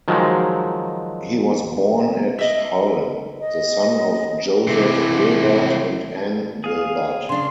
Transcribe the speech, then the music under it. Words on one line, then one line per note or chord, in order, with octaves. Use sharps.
He was born at Hull, the son of Joseph Gilbert and Ann Gilbert.
D#3 F3 F#3 G#3
D#5 E5
D#5
C3 E3
G#4 F5
C#3 D4 C6